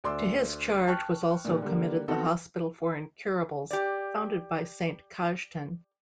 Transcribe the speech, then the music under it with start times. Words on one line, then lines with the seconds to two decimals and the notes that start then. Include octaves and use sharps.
To his charge was also committed the hospital for incurables, founded by Saint Cajetan.
0.04 D2 D5 C6 D6 E6
0.87 G5 A5 C#6 F6 F#6
1.45 A#2 D#3 G3
1.62 D3 G3 A#3
2.08 B3 C4 D#4 F#4 A4
3.71 G4 D5